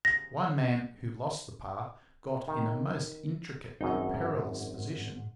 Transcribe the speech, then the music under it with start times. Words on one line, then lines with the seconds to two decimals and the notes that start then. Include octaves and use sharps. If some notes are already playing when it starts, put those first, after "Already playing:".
One man, who lost the path, got in a most intricate and perilous position.
0.05 A#6
2.48 D#3
3.81 G#1 F#2 D#4
4.14 G#2